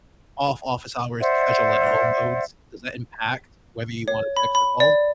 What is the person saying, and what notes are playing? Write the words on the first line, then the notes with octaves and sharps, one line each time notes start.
off office hours, casual at-home modes? Does that impact whether you wanna text or call?
C5 D5 E5 F#5
C#5
B5
B5
D5